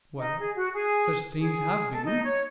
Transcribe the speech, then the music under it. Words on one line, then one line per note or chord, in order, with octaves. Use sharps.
"Well, such things have been."
D#4
G#4
F#4
G#4
G#4
A4
D#4
C#5